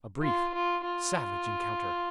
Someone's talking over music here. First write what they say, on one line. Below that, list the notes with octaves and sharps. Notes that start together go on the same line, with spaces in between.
A brief, savage encounter.
F4
F4
F4